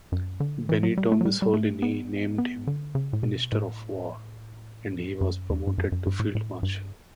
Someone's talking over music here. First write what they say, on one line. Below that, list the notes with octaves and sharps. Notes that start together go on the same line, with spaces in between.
Benito Mussolini named him Minister of War, and he was promoted to Field Marshal.
F#2
D3
E3
F#3
G3
A3
F#3
G3
G3
A3
B3
B3
D3
C#3
A2
B2
A2
F#2
E2
G2
F#2
F#2
G2
A2
A2
G2